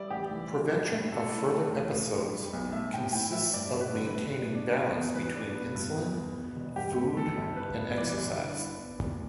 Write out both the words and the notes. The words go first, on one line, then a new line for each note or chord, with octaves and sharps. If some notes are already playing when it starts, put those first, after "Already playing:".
Prevention of further episodes consists of maintaining balance between insulin, food, and exercise.
Already playing: G3 D5 E5
A1 G4
E3
D4
G3
A2
A2 A4
E4
A3
A1
A2
D4
G3
B1
A3 E5
A2 G5
E4 G5
A2 E5
G2 D5
G3
B4
D3
B4
G1
B2
D4
B3
E2
E3 B4
D4
B3
G2
E2
B3
B2
E1
G2 G4
A3
E3 A4
G1
G2 B4
B3
E3 D5
G1
D3
E4
B3
D2